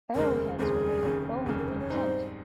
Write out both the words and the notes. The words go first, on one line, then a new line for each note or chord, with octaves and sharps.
Arrowheads were made of bone and flint.
F1 D#2 C#3 G#3 C4 A#4
F1 D#2 C#3 G#3 C4 G#4 A#4
F1 D#2 C#3
F1 D#2 C#3 G#4
A#4
C5
C#5
G#2 G3 C4 D#4 C5